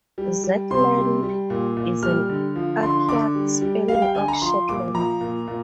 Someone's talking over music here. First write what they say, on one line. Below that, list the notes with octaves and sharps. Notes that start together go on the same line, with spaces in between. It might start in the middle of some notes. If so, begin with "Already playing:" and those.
Zetland is an archaic spelling of Shetland.
G3
G3
C3 C6
G3
G3
A#2
A#2
G3 F6
D3
F3
D3 C6
D3 D6
G3
G3
G3 F5
G5
D3 G#5
A#5
F3 C6
A#2 D6
F3 A#5
A#2
A#2